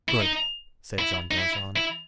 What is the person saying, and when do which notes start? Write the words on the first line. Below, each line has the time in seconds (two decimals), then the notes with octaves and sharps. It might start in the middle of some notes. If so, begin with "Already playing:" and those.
"Good," said Jean Valjean.
0.09 E4
0.20 D#4
0.99 E4
1.31 D#4
1.38 E4
1.76 E4